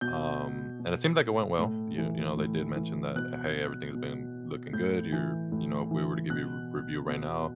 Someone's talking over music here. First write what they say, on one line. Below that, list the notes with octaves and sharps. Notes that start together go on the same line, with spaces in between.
Um, and it seemed like it went well. You you know, they did mention that, "Hey, everything's been looking good. You're you know, if we were to give you a r review right now,
B2 G6
B2
A2
E3
A2
E3
B2 F#6
B2
A2 G6
E3
A2
E3
B2 F#6
B2